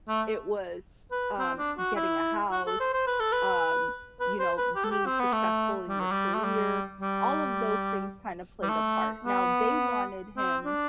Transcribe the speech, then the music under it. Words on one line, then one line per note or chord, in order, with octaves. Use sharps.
it was, um, getting a house, um, you know, being successful in your career, all of those things kind of played a part. Now, they wanted him
A3
B4
C4
D4
F#4
E4
F#4
A4
C5
C5
B4
A4
B4
B4
C5
B4
G4
A4
G4
C4
B3
A3
G3
F#3
G3
A3
G3
G3
G3
A3
B3
C4
D4